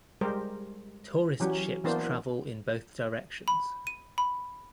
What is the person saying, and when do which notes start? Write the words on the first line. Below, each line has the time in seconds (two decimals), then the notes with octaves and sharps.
Tourist ships travel in both directions.
0.21 G3 G#3 G4 A#4 C5
1.40 E3 F#3 C#4 G4
1.84 E3 A#3 B3 D4 C5
3.48 B5
3.87 D#7
4.18 B5